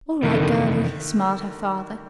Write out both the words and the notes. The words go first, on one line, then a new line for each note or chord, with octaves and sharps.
"All right, girlie," smiled her father.
F2 C3 D#3 E3
D3
D#3